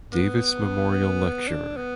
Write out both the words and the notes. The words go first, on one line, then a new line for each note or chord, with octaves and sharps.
Davis Memorial Lecture.
B3
D4
B3